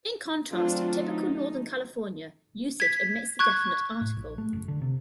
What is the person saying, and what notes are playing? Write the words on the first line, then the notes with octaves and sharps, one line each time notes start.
In contrast, typical Northern California usage omits the definite article.
D#3 F#3 A3 C4 D4 F4
D#4
G#6 B6
C#6 F#6 G#6
A2
A#1
A3
F#1
D3
C3